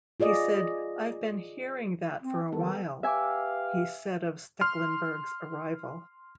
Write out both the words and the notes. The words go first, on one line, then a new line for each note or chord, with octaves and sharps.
He said, "I've been hearing that for a while," he said of Stekelenburg's arrival.
F4 G#4 D5 D#5
C4
D#3 G3 B3 A4
G4 B4 E5 F5 G#5 D6
C6 F6